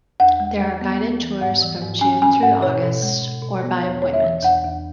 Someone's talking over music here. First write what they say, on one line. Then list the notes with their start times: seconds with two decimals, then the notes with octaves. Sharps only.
There are guided tours from June through August, or by appointment.
0.20 E2 F#5
0.40 G#3
0.60 G#3
0.81 B3
1.01 B3
1.21 E3
1.41 G#2 F#5
1.62 E3
1.82 G#2
2.01 C#4 G#5
2.22 C#4 G#5
2.42 G#2 F#5
2.62 B2 C#5
2.83 B2
3.02 G#3
3.22 B2
3.42 B2
3.63 B3
3.83 E2 C#5
4.02 E2 C#5
4.14 E5
4.24 E3
4.43 E2 F#5
4.64 E2